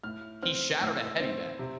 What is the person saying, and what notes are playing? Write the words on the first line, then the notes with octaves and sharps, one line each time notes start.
He shattered a heavy bag.
A2 F6
C4 F6
A2 E6
C4
C3